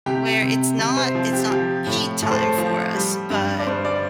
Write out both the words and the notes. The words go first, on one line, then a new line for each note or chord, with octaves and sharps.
Where it's not it's not paid time for us, but,
C3 G4
C3
C3
C5
F3
G4
F3 G4
A2
A2 A4
C5
A4
F3
G3
G2
D5
G2 C5
D5